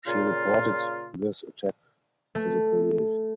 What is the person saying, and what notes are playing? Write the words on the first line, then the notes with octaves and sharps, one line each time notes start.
She reported this attack to the police.
A#2 C#3 F4
A3